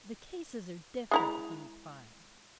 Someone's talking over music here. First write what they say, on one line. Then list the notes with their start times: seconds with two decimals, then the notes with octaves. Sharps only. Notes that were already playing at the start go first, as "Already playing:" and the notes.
'The cases are different,' he replied.
1.11 G#3 E4 A#5